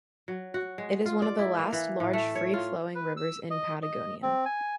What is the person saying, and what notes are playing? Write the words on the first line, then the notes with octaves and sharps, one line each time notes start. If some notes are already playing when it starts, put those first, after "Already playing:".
It is one of the last large free-flowing rivers in Patagonia.
F#3
F#4
G#3
F4
D5
E4
A#3
E3
A2
A3
C#5
F4
B4
E6
D#5
D#5
C4
G#5